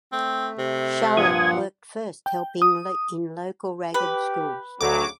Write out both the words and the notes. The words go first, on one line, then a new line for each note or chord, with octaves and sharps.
Charlotte worked first helping in local ragged schools.
A3 C4
C3
G2 A#2 F3 F#5 D#6 G#6
G5
D#6
G4 B4
D2 C#3 F#3 D6